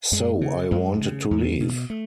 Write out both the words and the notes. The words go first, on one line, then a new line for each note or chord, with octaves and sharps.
So I wanted to leave.
F#2 G#3
C#3
F#2 G#3
C#3
E2
B2
A3